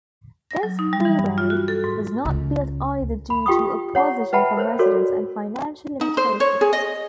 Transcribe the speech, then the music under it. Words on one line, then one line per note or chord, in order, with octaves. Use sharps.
This freeway was not built either due to opposition from residents and financial limitations.
A#6
F#3
D#4
G3
E3
G2
F4
F#4
A4
G#2
C#2
B5
F4 G4 G5 C#6 D#6
C#5 F#5 A#5 C#6
B4 E5 F#5 G5 A5 B5
A#4 C5 C#5
F#4 A4 A#4 C#5 D5
D#4
C5
C#5
G#4
D#5